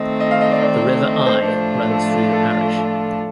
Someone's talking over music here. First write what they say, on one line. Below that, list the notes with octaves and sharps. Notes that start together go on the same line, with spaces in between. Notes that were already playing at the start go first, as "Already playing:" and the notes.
The River Eye runs through the parish.
Already playing: D#3 A3 C4 D#5
D#5
F5
D#5
D5
D5
D#5
D#5
C5
C5
A2 F3 A3 D4 F4 C5
A4
A4